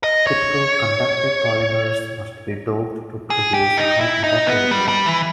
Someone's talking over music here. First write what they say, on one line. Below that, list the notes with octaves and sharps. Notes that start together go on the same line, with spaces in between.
Typical conductive polymers must be "doped" to produce high conductivity.
D#5
C#5
G#4
G4
D#4
E4
D#4
B3
G3
G3
E3